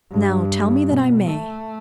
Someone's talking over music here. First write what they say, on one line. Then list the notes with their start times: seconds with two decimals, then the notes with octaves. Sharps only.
Now tell me that I may.
0.12 G2
0.89 B2
1.28 A3